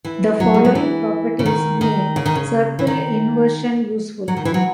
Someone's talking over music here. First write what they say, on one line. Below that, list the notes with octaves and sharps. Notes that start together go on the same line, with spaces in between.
The following properties make circle inversion useful.
E3
F#3
G#3
F#3
E3
C#3
D#3
D#3
C#3
D#3
C#3
E3
D#3
F#3
D#3
E3
F#3